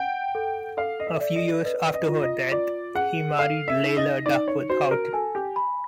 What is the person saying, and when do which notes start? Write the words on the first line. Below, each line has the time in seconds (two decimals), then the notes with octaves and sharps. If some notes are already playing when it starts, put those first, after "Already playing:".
A few years after her death, he married Leila Duckworth Houghton.
Already playing: F#5 G5
0.35 A4
0.77 A4 F5
1.00 D#5
1.07 E5
1.21 D5
1.36 D#5
1.64 B4 D#5
1.94 D#5
2.08 F4
2.23 D#5
2.51 F4 D5
2.95 G#4 F#5
3.39 A4 F5
3.68 E5
3.83 D#4
3.97 D#5
4.26 D#4 D5
4.48 C#5
4.70 F#4 C5
4.91 A#4
5.13 A4 G#5
5.35 G4
5.56 B5